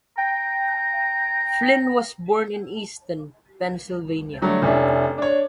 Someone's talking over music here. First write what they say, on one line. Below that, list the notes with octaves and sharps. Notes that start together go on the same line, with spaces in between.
Flynn was born in Easton, Pennsylvania.
G5 A#5
D3 F#3 G3 A3
F1 C#4 D4 E4
D4 C#5